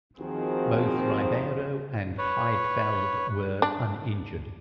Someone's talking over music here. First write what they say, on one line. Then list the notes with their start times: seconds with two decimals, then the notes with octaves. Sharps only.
Both Ribeiro and Heidfeld were uninjured.
0.20 D#2 D#3 F3 C4 F#4 G#4
2.18 B4 C#5
3.62 D4